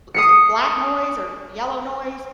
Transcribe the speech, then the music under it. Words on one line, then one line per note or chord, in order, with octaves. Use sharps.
is it black noise or yellow noise, is
D#6 C7 C#7